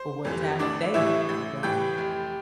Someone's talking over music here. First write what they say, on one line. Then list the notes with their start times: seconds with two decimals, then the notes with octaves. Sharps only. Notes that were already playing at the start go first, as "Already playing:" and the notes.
or what time of day, you know?
Already playing: C5
0.25 F2 E3 G3
0.59 A1 D4 D5
0.94 A2 E3 G3 E4 E5
1.29 A1
1.63 A2 E3 G3 G4 G5
1.97 F1